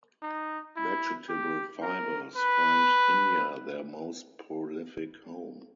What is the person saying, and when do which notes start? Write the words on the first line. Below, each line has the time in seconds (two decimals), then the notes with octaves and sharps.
Vegetable fibres find India their most prolific home.
0.22 D#4
0.76 E4
1.29 G4
1.82 A#4
2.36 B4